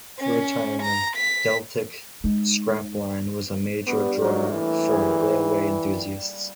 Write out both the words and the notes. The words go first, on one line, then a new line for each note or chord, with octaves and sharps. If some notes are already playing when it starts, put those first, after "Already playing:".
For a time the Deltic scrap line was a major draw for railway enthusiasts.
C#4
A#5
B6
G#3 D#4
G2 B3
A2 F#3 A#3
E3
G3 G#4